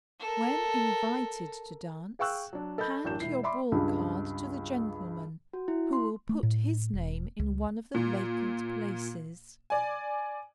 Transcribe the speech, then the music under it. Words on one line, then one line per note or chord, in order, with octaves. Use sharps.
When invited to dance, hand your ball card to the gentleman, who will put his name in one of the vacant places.
A4 A#4
G#4 F5 G5 C#6 E6 F#6
F#3 D4
A4 D#5 B5 G6
A1 F#2 D4 G6 E7
E1 E4 C7
D5 E5 B5 C6 D6
C#2 G2
F#4
E4
C6
A3
A2
E1
C#2
A#2
D5 G#5